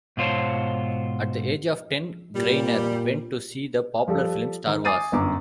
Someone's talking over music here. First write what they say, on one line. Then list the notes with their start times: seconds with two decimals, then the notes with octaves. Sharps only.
At the age of ten Greiner went to see the popular film "Star Wars".
0.17 G#2 B2 F4 C5 C#5 A5
2.36 A#2 G3
4.08 F3 G3 A4
4.67 D#3
4.85 G#5 D6 D#6 A6 C7 D#7
5.12 G1 F#2 D6